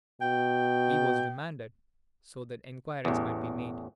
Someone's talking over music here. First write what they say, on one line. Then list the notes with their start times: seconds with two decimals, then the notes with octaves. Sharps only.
He was remanded, so that inquiries might be made.
0.21 B2 G5
3.05 A1 E2